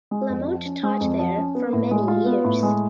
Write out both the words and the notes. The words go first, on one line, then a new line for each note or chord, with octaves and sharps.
La Motte taught there for many years.
G#3
F2
F3
C#4
G#3
F2
F3
C#4
B3
A2
G#3
F4
B3
A2
G#3